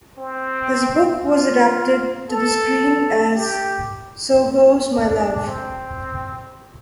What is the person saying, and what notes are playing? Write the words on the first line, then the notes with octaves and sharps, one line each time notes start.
This book was adapted to the screen as "So Goes My Love".
C4
F4
A4
G4
D4
C4